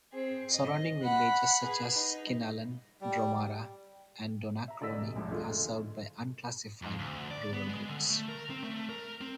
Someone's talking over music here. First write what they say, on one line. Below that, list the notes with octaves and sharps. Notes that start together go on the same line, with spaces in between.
Surrounding villages, such as Kinallen, Dromara and Donaghcloney, are served by unclassified rural routes.
C4 G#4
D#5
F#5 B5
G#4 B4
D#4
G3
E5 A#5
D3 D5 D#5 E6 B6
E1 C3
A#1 F2 G#2
D3 F3 G#3 A3 F4 A4
F2
D2
D5
B3
G#3
D3
A3
A#4
C4
A3
A#4
C4